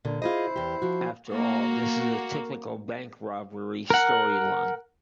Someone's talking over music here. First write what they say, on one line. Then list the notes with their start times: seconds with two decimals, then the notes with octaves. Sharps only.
After all this is a typical bank robbery storyline.
0.05 A#2 D3
0.22 E4 F4 G#4 C5 D#5
0.56 E2 G4
0.82 F3 F#4
1.32 A#3 F#4
3.90 A#4 F#5